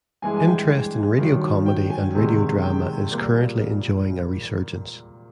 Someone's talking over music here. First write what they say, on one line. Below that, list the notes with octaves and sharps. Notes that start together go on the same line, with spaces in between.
Interest in radio comedy and radio drama is currently enjoying a resurgence.
G2 E3 G#3 G#5
G#5
G5
G2 D#3 F#3
G5
G#5
E2 C3 D#3 G#3
G5
A#2 G3 A#3